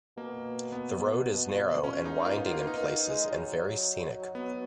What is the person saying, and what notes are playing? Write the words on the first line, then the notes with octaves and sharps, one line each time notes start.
The road is narrow and winding in places and very scenic.
B2 A#3
B3
F3 C#4
G#3 D#4
A#3 F4
B3
A#3 F4
B3 D#4
G#3
F#3
B3